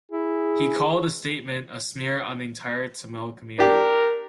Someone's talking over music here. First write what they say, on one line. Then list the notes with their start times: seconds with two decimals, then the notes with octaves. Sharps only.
He called the statement, a smear on the entire Tamil community.
0.12 E4 G#4
3.59 D4 G4 A#4